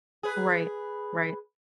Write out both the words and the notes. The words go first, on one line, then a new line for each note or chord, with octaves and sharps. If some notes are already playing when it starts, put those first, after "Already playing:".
Right. Right.
G#4 B4